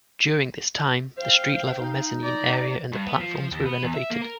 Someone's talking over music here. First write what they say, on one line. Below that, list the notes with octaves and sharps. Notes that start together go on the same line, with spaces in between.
During this time, the street level mezzanine area and the platforms were renovated.
C5 F5 G5
D#4
D5 A#5
G2
B3
F3
F3
D#2
B3
E2
E5
A#3
A#4